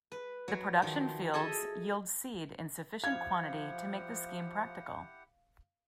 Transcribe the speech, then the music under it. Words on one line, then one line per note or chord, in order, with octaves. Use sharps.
The production fields yield seed in sufficient quantity to make the scheme practical.
B4
F#3
D#3 F3
G#4 A4 D#5 E5 G#5 A5
F3 E4 G4 F5 F#5 G#6